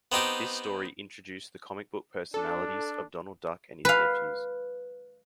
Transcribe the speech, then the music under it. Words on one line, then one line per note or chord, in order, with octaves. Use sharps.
This story introduced the comic book personalities of Donald Duck and his nephews.
B3 C4 D#4 G4
D4 A4
B4 F5